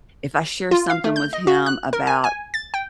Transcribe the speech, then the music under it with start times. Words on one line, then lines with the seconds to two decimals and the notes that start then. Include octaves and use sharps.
if I share something with him about
0.71 F4
0.90 F5
1.04 A3
1.16 G6
1.33 D#5
1.47 F#4
1.66 F#6
1.93 A#4
2.07 G#5
2.24 G#5
2.54 A6
2.74 G5